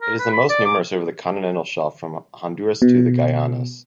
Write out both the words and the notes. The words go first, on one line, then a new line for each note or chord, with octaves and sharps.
It is most numerous over the continental shelf from Honduras to the Guianas.
A#4
B4
B5
D5
D6
B2